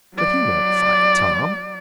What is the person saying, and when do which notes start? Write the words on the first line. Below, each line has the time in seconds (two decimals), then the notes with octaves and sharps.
"But he won't fight, Tom."
0.15 F#3 D5